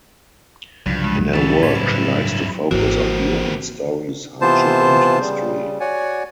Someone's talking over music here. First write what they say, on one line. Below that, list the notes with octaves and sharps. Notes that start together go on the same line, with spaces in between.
In her work, she likes to focus on human stories, hardship and history.
C2 G2 C#3 F3 F#3
G#3
D#3 B3 G4 A4
A2 C#3 G#6
G2 F#3 C4 E4 B4
G#1 E3 A#3 C4 F#4
C3 E3 B3 F4 C5 A5
C#3 G3
F#4 C#5 D5 F#5 G#5